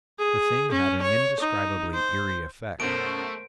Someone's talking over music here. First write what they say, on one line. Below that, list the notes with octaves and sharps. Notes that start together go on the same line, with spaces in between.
The thing had an indescribably eery effect.
G#4
C#4
C#5
D#4
C5
F#2 B2 A3 A#4 C5 D7